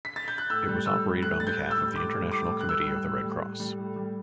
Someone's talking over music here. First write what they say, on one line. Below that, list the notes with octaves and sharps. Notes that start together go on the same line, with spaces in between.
It was operated on behalf of the International Committee of the Red Cross.
B6
A6
G6
F#6
A2 E6
G3
A2 E6
G3
A2 F#6
G3 A6
G6
A2
E6
G3
A2 D6
G3
A2 D6
G3
F#6
A2 E6
G3
A2
G3
A2
G3
A2
G3